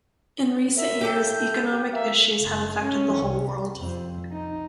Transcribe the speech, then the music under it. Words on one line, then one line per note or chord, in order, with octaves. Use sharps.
In recent years, economic issues have affected the whole world.
F#2 E5
G4 A4
A2 G6
G4
A#3 E5
F#1
C#4
C2
F2
D#4